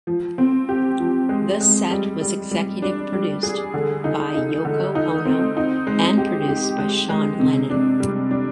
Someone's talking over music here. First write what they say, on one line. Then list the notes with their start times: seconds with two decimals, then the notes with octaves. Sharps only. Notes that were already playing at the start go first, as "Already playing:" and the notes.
The set was executive produced by Yoko Ono and produced by Sean Lennon.
0.07 F3
0.38 C4
0.69 G4
1.00 F3
1.29 G#3
1.61 G#3
1.91 G3
2.21 G3
2.51 G3
2.82 D4
3.13 G3
3.43 G#4
3.74 D3
4.04 D#4
4.34 D#4
4.65 D3
4.95 D#4
5.25 C4
5.57 D#4
5.87 G#3
6.18 G4
6.48 G4
6.78 G#3
7.10 G#3
7.40 C3
7.70 D4
8.00 G3
8.31 D4